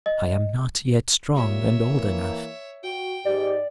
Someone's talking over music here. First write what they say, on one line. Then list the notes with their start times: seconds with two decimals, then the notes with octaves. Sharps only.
I am not yet strong and old enough.
0.06 D#5
1.34 G3 A#3 F4 C#5 E5
1.87 E3 A#3
2.84 F#4 G5
3.25 G#2 G4 D5 D#5